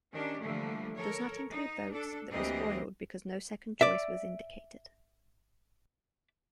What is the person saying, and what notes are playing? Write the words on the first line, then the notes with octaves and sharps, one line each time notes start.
Does not include votes that were spoiled because no second choice was indicated.
D#3 C#4 D4 G4
D3 E3 F3 G3 A3 A#3
A4 A#4 C#5
D#4
D4 A4
D2 E3 A#3 C4 G4 D#5
D5 E5